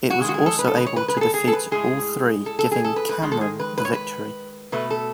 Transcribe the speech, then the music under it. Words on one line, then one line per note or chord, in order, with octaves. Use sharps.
It was able to defeat all three, giving Cameron the victory.
F#4
D#3 G#3 F#4 G#4
G#4
A4
B4
A4
B4
C#5
B4
B4
G#4
A4
G#4
A4
B4
A2 G#3 G#4
A4
A4
G#4
A4
B4
B4
D#3 G#3
A4
G#4
B4
B4
C#5
B4
B2 A3 B4
A4